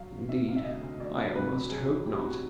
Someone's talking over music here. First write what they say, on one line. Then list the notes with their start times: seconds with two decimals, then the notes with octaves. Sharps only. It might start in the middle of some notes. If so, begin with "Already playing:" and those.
Indeed, I almost hope not.'
Already playing: F#3 F5
0.11 F#3
0.28 D#3 E5
0.47 C3 F5
0.56 E5
0.64 D2 D#5
0.82 D2
1.00 D2 D5
1.18 D2
1.35 C3 B4
1.53 F#3
1.70 F#3 G#4
1.88 F#3
2.05 D#3 G4
2.23 D#3 F#4